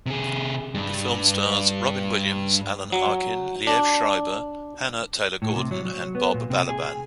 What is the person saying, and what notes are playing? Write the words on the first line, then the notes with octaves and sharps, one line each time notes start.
The film stars Robin Williams, Alan Arkin, Liev Schreiber, Hannah Taylor-Gordon, and Bob Balaban.
C3 G#4
G2 G3
F#3
D4
A2
C3
F#3
F#3
B3
A#2
C3
G#4